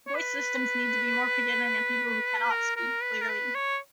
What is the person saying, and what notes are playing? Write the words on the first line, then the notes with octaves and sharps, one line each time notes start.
Voice systems need to be more forgiving of people who cannot speak clearly.
C#5
B4
A#4
A#4
B4
A#4
B4
C#5